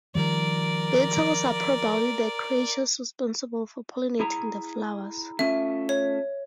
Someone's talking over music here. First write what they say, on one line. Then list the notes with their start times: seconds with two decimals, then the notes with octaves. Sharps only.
Beetles are probably the creatures responsible for pollinating the flowers.
0.15 D#3 F3 G3 A#4 D5
4.20 E4 G#4 A#5
5.39 A3 C#4 F4 E5
5.89 C#5